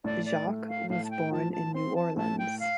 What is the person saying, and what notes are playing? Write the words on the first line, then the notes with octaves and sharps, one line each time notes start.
Jacques was born in New Orleans.
A2 D5
D5
A3
F5
A2 F5
A5
G5
F3 A5
A5
C4 C6
A5
A2 A5
G5
F5